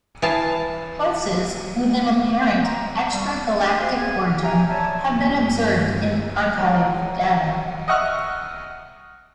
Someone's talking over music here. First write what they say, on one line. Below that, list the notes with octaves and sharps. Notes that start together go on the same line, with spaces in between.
Pulses with an apparent extragalactic origin have been observed in archived data.
E3 F5 A5
C#4
A#5
C#6
G3
D4
F#4 C5 F5 G#5
G#4
F#5 F6
G4 G#5 A#5
C#5 D5 E5 A5
G1
F#3 A#4
D#5 E5 F#5 C#6 F6 F#6